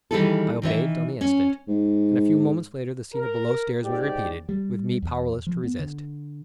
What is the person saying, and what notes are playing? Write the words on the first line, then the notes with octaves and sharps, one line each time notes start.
I obeyed on the instant and a few moments later the scene of below-stairs was repeated, with me powerless to resist.
D#3 E3 G3 E4 G#4 A4
D#3 E3 C#5 E5
C#4
G#2
A#4
G#2 G4 D5
G3
E2
F3
B3
D3